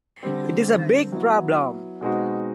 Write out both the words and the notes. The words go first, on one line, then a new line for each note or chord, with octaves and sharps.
It's a big problem.
D3 G3 C4
F#3 B3 E4
B2 G#3 C4 D#4 F#4